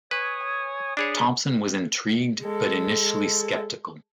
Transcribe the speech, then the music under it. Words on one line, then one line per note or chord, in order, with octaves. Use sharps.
Thomson was intrigued but initially skeptical.
B4 C#5 G#5 D#6
D4 G#4 C#5 B5 D#6
G#3 A4